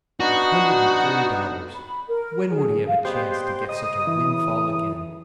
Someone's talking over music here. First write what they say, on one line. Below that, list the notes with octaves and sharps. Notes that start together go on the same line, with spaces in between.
A hundred and forty dollars; When would he have a chance to get such a windfall again?
B3 D4 D#4 F#4
B5
A#4
G#4
F5
G3 G#3 B3 G4 C5
C#3 D#5 D#6
E3